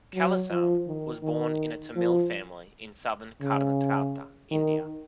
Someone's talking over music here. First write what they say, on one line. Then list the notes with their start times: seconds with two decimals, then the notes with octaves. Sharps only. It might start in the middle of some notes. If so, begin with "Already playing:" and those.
Kailasam was born in a Tamil family in southern Karnataka, India.
0.14 F#3
0.50 F3
0.87 D#3
1.23 D#3
1.96 F3
3.42 C#3
4.51 D#3